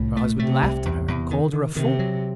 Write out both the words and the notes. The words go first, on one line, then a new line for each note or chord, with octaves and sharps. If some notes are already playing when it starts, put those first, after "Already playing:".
Her husband laughed at her, and called her a fool.
Already playing: C2 A2
A3
C3 A3
C2
E2
E2
D#3
D#3
C3 D#3
F#3